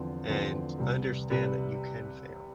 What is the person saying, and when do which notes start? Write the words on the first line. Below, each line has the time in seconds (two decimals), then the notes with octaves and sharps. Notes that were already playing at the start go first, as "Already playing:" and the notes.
and understand that you can fail,
Already playing: E2 D3 F3 C4
0.27 E2 D3 F3 C4
0.78 C2 C3 G3
1.30 C3 G3 B4